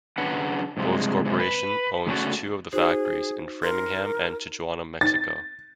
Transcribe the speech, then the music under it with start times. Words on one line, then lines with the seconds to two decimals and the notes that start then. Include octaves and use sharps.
Bose Corporation owns two of the factories - in Framingham and Tijuana, Mexico.
0.18 C#3 F#3 D4 B4 F#5
0.77 G2 C3 F3 G#3
1.25 C3 G#3
1.40 B4
2.07 C#3 A3 C#4 D4 F#4
2.73 D#4 F#4 G#4 C5
3.63 A#4 C6
5.01 A6